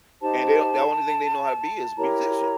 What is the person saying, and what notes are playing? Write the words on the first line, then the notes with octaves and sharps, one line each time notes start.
and they don't the only thing they know how to be is musicians,
D#4 G4 C5 A5
E4 G4 A#4 C#5 A#5